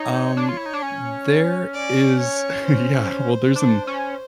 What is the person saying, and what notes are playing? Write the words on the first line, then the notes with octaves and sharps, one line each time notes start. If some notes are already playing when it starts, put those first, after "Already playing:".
Um, there is Yeah, well, there's an,
Already playing: D#4 C#5
D4
F4
E4
D#4
D4
C#4
D5
C#5
C5
D4
C#4